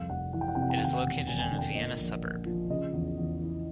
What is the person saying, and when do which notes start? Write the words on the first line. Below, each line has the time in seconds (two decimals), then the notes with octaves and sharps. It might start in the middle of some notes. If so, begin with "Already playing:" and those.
It is located in a Vienna suburb.
Already playing: C2 F2 F5
0.10 F1 F#5
0.33 E3 F#5
0.41 G5
0.48 F#5
0.55 C3 G5
0.62 F#5
0.70 G5
0.78 F#5
0.81 D#2 G5
0.93 F#5
1.04 E1
1.27 E1 G#5
1.39 G#5
1.43 G5
1.51 D3
1.59 G5
1.75 A#2 D#5
1.99 A#1
2.23 A#1
2.46 F3
2.70 C#3 D#5
2.93 E2
3.18 E2
3.41 E3